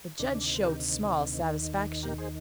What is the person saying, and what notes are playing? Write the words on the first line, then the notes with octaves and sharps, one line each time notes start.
The judge showed small satisfaction.
D2 C3 D#3 D4
D4
C5
G4 A#4
D#2 D#3
G4 A#4
G#4 C5